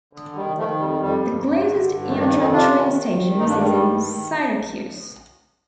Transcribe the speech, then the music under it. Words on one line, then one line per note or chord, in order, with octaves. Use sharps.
The closest Amtrak train station is in Syracuse.
D3
D#3 G3
D#3 F3 A3
F2 G3
F2 G3
G2
G2
D3
G2
D#3 F3 A3
A#3 D4
F2 C4 D#4
C4 D#4
C3 D4 F4
D#3
D#3
D#3
G2 C4 D#4
A#3 D4
D#3 G3
G3
G2
D#3